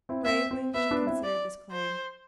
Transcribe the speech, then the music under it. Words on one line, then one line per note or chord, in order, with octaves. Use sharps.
Gravely she considered this claim.
C4 E4
C4 E5
C4
B3 E5
B3 D4
C4 E4
D5
C5